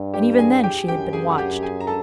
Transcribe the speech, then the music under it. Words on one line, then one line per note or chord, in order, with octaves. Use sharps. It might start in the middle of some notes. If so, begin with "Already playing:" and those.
And even then she had been watched.
Already playing: G2
G4 G5
G#4 G#5
G4 G5
F#2 G4 G5
G#4 G#5
F#5
G4 G5
G#4 G#5
A#5
A4 A5